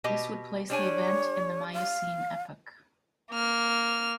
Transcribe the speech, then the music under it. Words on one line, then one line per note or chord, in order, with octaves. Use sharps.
This would place the event in the Miocene epoch.
B2 G4 D#5
G3 D4 C#5 G#5
F5
A#3 F6